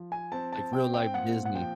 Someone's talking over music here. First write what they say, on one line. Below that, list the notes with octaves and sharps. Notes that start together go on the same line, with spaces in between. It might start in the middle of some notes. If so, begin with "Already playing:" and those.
Like real life Disney.
Already playing: F3
G#5
C4 A5
A5
C4 G5
G5
A#2 F#5
F#5
F3 G5